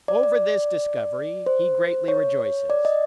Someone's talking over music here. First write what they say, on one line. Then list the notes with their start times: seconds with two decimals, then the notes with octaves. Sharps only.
Over this discovery he greatly rejoices.
0.08 D5
0.23 D5
1.46 C5
2.08 C#5
2.70 D5
2.85 D#5